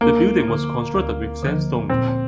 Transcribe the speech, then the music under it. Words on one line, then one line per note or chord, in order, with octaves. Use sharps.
The building was constructed with sandstone.
D2 A#3
D3 F3
D2
D3 F3
A#2 C4